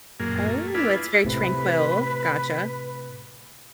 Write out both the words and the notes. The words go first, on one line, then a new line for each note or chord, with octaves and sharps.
Oh, it's very tranquil, gotcha.
F#2 A#2 A#3 G#4
A3
D4 E4 F4 G#4 B4
A2 C3 B4